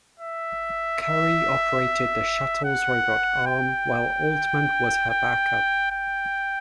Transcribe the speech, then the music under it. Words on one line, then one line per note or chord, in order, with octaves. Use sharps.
Currie operated the Shuttle's robot arm while Altman was her backup.
E5
E5
F#5
G5
G5
G5